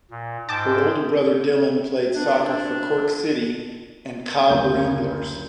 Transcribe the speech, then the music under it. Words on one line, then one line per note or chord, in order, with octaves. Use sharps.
Her older brother Dylan played soccer for Cork City and Cobh Ramblers.
A#2
G#2 G5 A5 D6
D#3 F3 D4
F#1 D2 G6